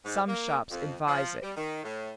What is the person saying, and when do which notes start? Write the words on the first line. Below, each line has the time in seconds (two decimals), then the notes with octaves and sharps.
Some shops advise it.
0.05 G#2
0.27 A#3
0.70 F2
1.07 F3
1.42 G3
1.56 D#3
1.83 A2